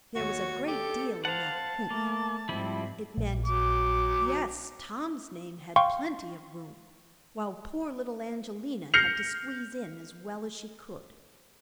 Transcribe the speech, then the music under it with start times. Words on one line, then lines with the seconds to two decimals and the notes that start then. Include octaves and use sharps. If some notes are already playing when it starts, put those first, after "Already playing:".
There was a great deal in that "humph." It meant: Yes, Tom's name had plenty of room, while poor little Angelina had to squeeze in as well as she could.
0.16 D#2 F#4 C#5
0.68 G4 A4
1.25 C5 F5 F#5 A5
1.90 A3 A#3
2.49 G#2 F3 G3 C4 E4
3.17 A#1
3.46 F#3 D6
5.76 F5 G5 C6 C#6
8.94 F6 G6 A#6 C7 C#7 F7